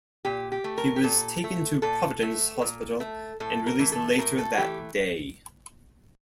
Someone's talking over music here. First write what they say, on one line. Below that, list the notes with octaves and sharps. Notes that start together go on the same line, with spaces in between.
He was taken to Providence Hospital and released later that day.
A#2 G4
G4
A3
A#4
G4
A#2 A4
A3
A#2 A4
A3
A#2
A3
A2 A4
A#4
E3 A3
A4
A2 A#4
A4
E3 A3 G4